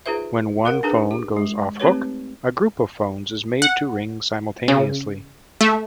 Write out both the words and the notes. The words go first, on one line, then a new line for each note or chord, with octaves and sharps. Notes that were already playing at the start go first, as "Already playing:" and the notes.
When one phone goes off-hook, a group of phones is made to ring simultaneously.
D#4 F4 G#4 B4 C5 E5
A#4 F5 F#5
D4 D#4 G#4 A4 B4
G4
G#3
A3 C4 D#4 G4 B4 C#5
F#5
C#3
A3